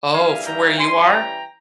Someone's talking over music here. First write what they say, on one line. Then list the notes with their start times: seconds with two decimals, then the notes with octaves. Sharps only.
Oh, from where you are?
0.13 G2 E3 G3 A#3 E4 F5 G#5
0.45 G5 A#5
0.77 E3 G3 C#4 G#5 C6
1.10 G5 A#5